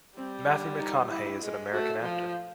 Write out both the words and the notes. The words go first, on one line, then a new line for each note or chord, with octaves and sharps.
Matthew McConaughey is an American actor.
G3 C4
D4
D#4
E4
G#3
A3 F#4
F3 F4